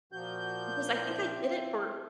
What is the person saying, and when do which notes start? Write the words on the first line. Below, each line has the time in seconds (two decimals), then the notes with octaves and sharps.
Because I think I did it for
0.13 A#2 F3 F#4 G6
0.93 C#3 C4 E4